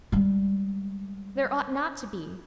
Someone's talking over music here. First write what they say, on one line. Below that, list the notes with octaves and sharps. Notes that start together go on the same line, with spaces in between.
There ought not to be.
G3 G#3